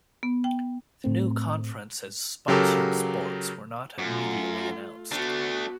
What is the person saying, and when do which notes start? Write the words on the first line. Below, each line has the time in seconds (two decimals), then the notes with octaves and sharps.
The new conferences' sponsored sports were not immediately announced.
0.23 B3
0.44 G5
1.04 A2 A3 C4
2.48 C#3 F#3 G4 A4 A#4
3.98 F#2 A3 F4
5.12 A3 B3 D4 F#4